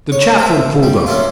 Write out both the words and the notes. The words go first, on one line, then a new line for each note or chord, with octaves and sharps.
The chaplain pulled up.
C#5
C5 E5
G3
A#3 C#4 E4 F4